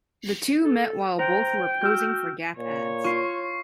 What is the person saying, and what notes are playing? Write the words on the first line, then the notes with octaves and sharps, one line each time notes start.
The two met while both were posing for Gap ads.
A4
C5 G5 A#5
F#4 E6 F6 G6
A#2 C#5
F4 C#6 C7